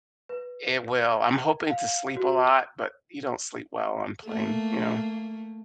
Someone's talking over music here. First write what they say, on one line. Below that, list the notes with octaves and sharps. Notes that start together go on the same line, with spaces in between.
It will. I'm hoping to sleep a lot, but you don't sleep well on plane, you know?
B4
G#6
F5
F#4
A3 A#3